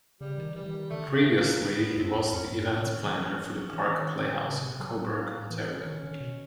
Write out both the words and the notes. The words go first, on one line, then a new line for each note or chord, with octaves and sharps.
Previously he was the event planner for the Park Playhouse in Cobourg, Ontario.
C#3 G3
D#3
E3 G3
E3
D#3
D3 A3
C#3
D3 A#3
D3
D3 B3
G#2
F#2 C4
F2
F2 C#4
G2
G#2 C#4
D3
E3
F3
F#3
F#3
E3
E3
D#3
D3
C#3 B3
C3
F#3
F#3
A#3
E3 B3
D#3 C#4
D3
B2